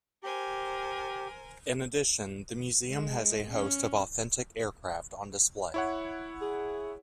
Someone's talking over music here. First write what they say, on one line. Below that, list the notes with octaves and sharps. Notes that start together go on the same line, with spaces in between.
In addition the museum has a host of authentic aircraft on display.
G4 A#4 C5 G#5
G#3
C#4
E4 C#5 F#5
G#4